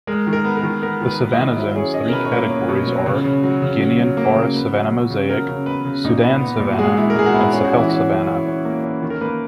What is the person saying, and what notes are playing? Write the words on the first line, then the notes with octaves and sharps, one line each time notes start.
The savannah zone's three categories are Guinean forest-savanna mosaic, Sudan savannah, and Sahel savannah.
G#3 A#4
D#3
A#4
B3
A#4
D#3
B3 A#4
D#3
B4
B3
D#5
D#3
F#3 E4
C#4 G#4
C#4 D#5
A#4
B2 B4
C#5
A#3 B4
C#4
B2
F#3
C#3
C#3
F#3
C#3
F#3
F#3
A#3
C#3
B3
F#3
F#3
C#3
F#3 A#4
C#3
B3 B4
C#3
A#2 D#4
B3
B3
A#2
F#4
G#3 G#4
G#3 E4
A#4
G#3 G#4
F#4
B3 E4
C#4 G#4
F#4
E3 E4
C#4 F#4
C#4
C#4
C#4
A#3
C#4
D#3
A#4
A#3 B4